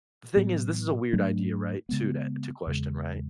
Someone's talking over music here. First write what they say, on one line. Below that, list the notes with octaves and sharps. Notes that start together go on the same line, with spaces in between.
the thing is, this is a weird idea, right? To that to question, right?
A2 F#3 B3
G#2 F#3 A3 D4
C#3 G#3 B3
E2 C#3 G#3